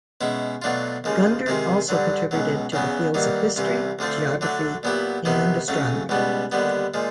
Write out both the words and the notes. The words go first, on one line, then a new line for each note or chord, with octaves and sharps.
Gundert also contributed to the fields of history, geography and astronomy.
B2 G#3 C#4 E4
B2 F#3 A3 D4 F4
D#2 C#3 F3 G#3
C3 D#3 G#3 C4
G2 D3 F#3
C#2 B2 F#3
E2 C#3 F#3 B3
G2 D#3 F#3 A#3
C2 C3 E3
D2 D3 F3 A3 C4
D3 F#3 A3 D4
A#2 F#3 B3 E4 G4
C3 D#3 F#3 B3
F2 C#3 F#3 A3 C#4
C#2 B2 G3 B3
D#2 D3 G3 B3
A#2 F3 G#3